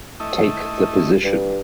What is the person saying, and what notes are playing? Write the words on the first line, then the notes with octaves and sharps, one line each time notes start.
Take the position'.
A3 E4 D#5
G2